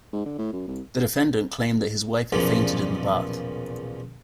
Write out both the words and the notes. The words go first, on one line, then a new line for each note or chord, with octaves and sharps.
The defendant claimed that his wife had fainted in the bath.
G#2
D3
A2
F#2
C2
B1 E2 A#2 C#3 F3 G3